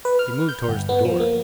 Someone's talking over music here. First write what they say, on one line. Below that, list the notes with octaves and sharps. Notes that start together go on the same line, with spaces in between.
He moved towards the door.
B4
F6
G6
G1
B3
F3
A#3